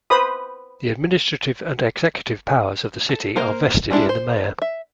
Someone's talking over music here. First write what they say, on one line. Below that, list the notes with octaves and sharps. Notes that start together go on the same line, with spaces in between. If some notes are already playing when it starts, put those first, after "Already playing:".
The administrative and executive powers of the city are vested in the mayor.
B4 C5 B5 D#6
A4
A#3 A#4 C5
G3 G#3 D4 E4
C5
E5